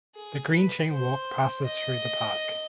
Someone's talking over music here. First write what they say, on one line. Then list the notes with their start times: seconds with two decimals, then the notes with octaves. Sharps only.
The Green Chain Walk passes through the park.
0.15 G#4
0.54 B4
0.91 C5
1.65 D#5